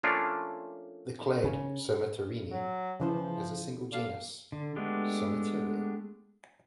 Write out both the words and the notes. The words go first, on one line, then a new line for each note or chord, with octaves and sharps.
The clade Somaterini has a single genus "Somateria".
F3 A3 A#3 C#4 D4 F4
C#3
F#3
C#3 E3 F3 C5
D3 F5
D3
G#3 A3 B3 D4 G4